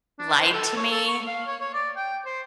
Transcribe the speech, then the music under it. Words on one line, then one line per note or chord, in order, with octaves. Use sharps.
lied to me.
D4
C5
A4
C#5
A4
C#6
F5
C#5
C#5
D5
G5
C5